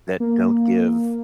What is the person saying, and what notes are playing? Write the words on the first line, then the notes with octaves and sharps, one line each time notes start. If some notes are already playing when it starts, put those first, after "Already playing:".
that don't give
A#3